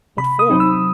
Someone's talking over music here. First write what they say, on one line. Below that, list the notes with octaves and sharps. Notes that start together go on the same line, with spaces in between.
What for?
C3 B5
D#6
F#3 C4 D#4
E6